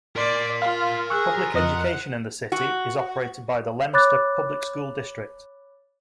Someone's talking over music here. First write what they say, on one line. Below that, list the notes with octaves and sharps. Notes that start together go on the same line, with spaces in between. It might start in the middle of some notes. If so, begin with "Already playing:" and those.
Public education in the city is operated by the Leominster Public School District.
A#4 D5 C6
F4 F5
G#4 C#6 E6 F#6
F2 D#5 F#5
F#4
C#5 B5 D6 F#6 A6